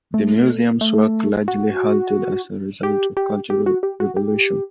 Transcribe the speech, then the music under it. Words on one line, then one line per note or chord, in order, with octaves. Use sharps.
The museum's work largely halted as a result of the Cultural Revolution.
A3
A3
F#4
G4
G4
G4
F#4
G4
F#4
G4